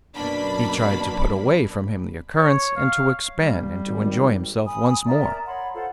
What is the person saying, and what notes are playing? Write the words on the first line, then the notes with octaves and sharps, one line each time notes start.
He tried to put away from him the occurrence, and to expand, and to enjoy himself once more.
F#2 B2 A#3 D4 B5
C#5
F5
G3
G#1
G#5 B5 D#6
A#4 D5 E5 A#5
C#5 F#5 B5 C6
F4 A4 C5 F#5